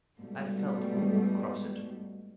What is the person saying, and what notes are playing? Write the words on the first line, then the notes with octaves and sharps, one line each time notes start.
I felt all across it.
G#2 B2 G3 A3